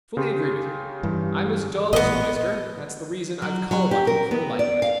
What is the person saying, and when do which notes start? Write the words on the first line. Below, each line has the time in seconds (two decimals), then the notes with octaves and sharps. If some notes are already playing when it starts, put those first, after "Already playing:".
I fully agree with you! I’m as dull as an oyster; that’s the reason I’ve called on you for enlightenment.
0.17 C#3 G4 C6
1.03 G2 E3
1.93 A1 A#2 B3 D#5
3.42 F#3
3.71 F#3
3.91 G4
4.07 A#4
4.31 B3
4.59 D5
4.82 F5